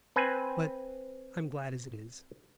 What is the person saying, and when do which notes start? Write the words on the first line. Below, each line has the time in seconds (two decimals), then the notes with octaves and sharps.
But I am glad as it is!
0.16 C4 B4 G#5